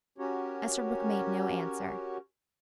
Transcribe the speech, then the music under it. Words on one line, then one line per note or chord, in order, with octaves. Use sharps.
Esterbrook made no answer.
C#4 F#4 G4 A#4 C#5